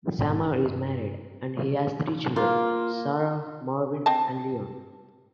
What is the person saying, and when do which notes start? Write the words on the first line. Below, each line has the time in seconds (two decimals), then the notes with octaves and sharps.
Sammer is married and has three children, Sarah, Marvin, and Leon.
0.18 E1 G#2 G3 B3
0.45 G2
2.36 A#3 F4
4.06 C4 D#5 A5